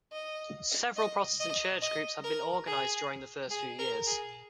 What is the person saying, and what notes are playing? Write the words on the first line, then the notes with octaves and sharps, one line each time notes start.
Several Protestant church groups had been organized during the first few years.
D#5
D#5
D#5
D#5
A#4
G#4
G#4
A#4
G#4